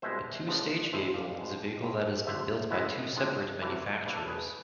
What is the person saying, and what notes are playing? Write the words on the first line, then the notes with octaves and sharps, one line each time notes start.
A two-stage vehicle is a vehicle that has been built by two separate manufacturers.
C2 B2 G#3 C5 E5
A1 G#2 F3 B3
D5
A1 A2 G#3 C5 E5
D5 F5
B2 G#3 C4
A2 G#3 C4 E4
D2 D3 A3 C5 E5
A1 A2 G#3 B3 E4
F2 D3 G#3 D4
C2 C3 E3 A3 E4
B1 B2 A3 D4 B4
A4
G#4 B4